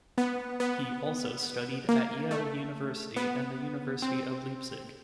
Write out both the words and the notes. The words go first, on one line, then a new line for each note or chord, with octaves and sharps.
He also studied at Yale University and the University of Leipzig.
B3
B3
A#3
A3
B3
C4